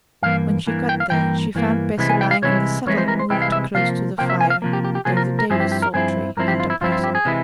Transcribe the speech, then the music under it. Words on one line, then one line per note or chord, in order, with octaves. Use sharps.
When she got there, she found Bessy lying on the settle, moved close to the fire, though the day was sultry and oppressive.
G2 E3 A#3 F5
G2 E3 A#3
G5
F5
G2 E3 A#3 G5
G2 E3 A#3
C2 C3 E3 G#3 E4
G#5
G5
F5
C2 C3 E3 G#3 E4 C#5
C2 C3 E3 G#3 E4 C#5
C5
A#4
C5
C2 C3 E3 G#3 E4 G5
F5
E5
C3 F3 A#3 F5
C3 F3 A#3 G5
E5
G#5
F5
C3 F3 A#3
G4
G4
G4
C3 F3 A#3 G#4
A#4
A#4
G2 F3 C4 E4 G#4
G4
G4
A#4
G2 F3 C4 E4 G#4
G2 F3 C4 E4 A#4
G4
F4
E4
G2 F3 C4 E4 F4
F4
G4
G#4
C3 E3 G#3 E4